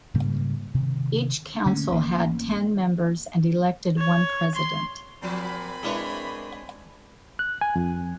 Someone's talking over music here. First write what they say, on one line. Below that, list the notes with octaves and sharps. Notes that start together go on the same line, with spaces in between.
Each council had ten members and elected one president.
G#2 C#3 G3 A#3
C3 D#3
D3 A3 A#3 C#4
A1 A#3
C#5
C6
A#2 F3 F#3 C4 G#5 B5
G#3 A#3 D4 E4 B4 C#5
F#6
G#5
F2